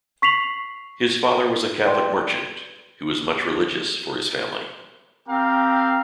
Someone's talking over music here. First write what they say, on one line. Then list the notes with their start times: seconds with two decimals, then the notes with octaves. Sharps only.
His father was a Catholic merchant, who was much religious for his family.
0.22 C#6 B6 C7 F7 F#7
1.85 B4 D5 G5 C6
5.29 C4 G4 A#4 F5